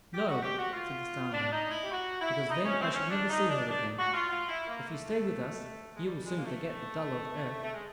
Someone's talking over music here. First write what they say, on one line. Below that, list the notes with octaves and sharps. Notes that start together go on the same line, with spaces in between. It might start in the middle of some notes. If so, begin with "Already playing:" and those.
"No," said the Star-man, "because then I should never see her again. If you stay with us you will soon forget the dull old earth."
G4
F#4
G4
F#4
F4
D4
D#4
E4
G4
F#4
E4
D#4
C#4
C4
C4
C#4
D4
D#4
D4
D4
F#4
F4
F4
E4
A#3
A3
G#3
G3
G#3
A#3
A3
A3
G#3